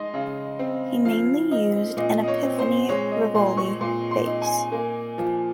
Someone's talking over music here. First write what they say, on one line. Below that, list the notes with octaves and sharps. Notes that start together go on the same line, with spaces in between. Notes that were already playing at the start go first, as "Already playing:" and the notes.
He mainly used an Epiphone Rivoli bass.
Already playing: G#3 D#4 D#5 C6
C#3
C4
F3 F5
D#4
A#2 D#5
D#5
C#5
C4
C5
G#3 C#5
D#5
A#2 C6
C#6
A#2 C6
C6
D#4
G#5
A#3
F3